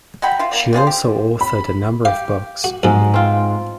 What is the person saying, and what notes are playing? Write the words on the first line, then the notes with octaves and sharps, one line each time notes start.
She also authored a number of books.
F#3 F#5 G5 B5
E4 F4
A#3 D5
C#3 F4 G#4 C5
G4
B5
G4 F5
F#4
B1 G#2 F3
C4 F4